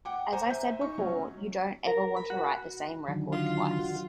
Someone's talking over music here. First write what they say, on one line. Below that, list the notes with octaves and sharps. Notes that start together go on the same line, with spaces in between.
As I said before, you don't ever want to write the same record twice.
F#5 G5 D6
C5 G#5 A#5
E5 G6
D#4 C#6
F#3 C#4
A#4
B5
F#4
D3 D#3 F#3
F4
F#4